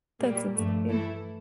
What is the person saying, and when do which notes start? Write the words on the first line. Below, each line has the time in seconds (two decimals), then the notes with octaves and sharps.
That's insane.
0.20 A#2 G3 A#3
0.55 G2 F3 A3
0.88 E3 A3 E4 A4